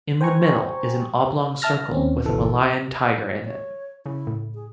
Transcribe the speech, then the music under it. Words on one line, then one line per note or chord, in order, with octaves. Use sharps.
In the middle is an oblong circle with a Malayan tiger in it.
C5 G5 G#5 A#5 C#6
E5 A5 F6 A#6
D#2 C4 C#4
G1 C#2 E3 A4
C#5
C#3 E4
A2
G#4